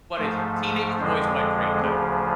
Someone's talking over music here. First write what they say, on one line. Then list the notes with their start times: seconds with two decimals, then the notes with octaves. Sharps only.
what is it? Teenage boys' wet dream type of movie.
0.17 G#2 F3 A3 C5
0.99 F2 D3 F3 G#3 C5
1.81 D2 C#3 F3